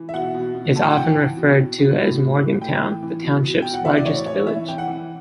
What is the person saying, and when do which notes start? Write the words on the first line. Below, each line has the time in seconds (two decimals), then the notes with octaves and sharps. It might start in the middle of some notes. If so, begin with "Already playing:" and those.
It is often referred to as Morgantown, the township's largest village.
Already playing: E3
0.09 E5
0.14 B2 F#5
0.34 B2
0.54 B2
0.75 A2 A5
0.83 G5
0.90 F#5
0.96 E3 G5
1.17 E3
1.37 B2
1.58 B2
1.78 B2
2.00 A2
2.20 A2
2.41 A2
2.61 A2 G5
2.82 E3
3.03 E3
3.23 B2
3.44 B2
3.62 B2 G5
3.74 F#5
3.85 E3 E5
3.97 D5
4.06 A2 C#5
4.26 E3 C#5
4.47 E3 E5
4.68 E3 G5
4.78 F#5
4.88 E3